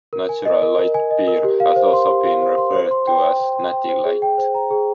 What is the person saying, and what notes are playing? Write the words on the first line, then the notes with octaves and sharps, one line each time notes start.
Natural Light Beer has also been referred to as Natty Light.
A#4
G#5
D#5
A#4
A#4
G#5
D#5
A#4
G4
F5
C5
C6
G4
F5
C5
C6
C5
C6
G5
C5
C5
C6
G5
C5
G#4
G5
C5
A#5
G#4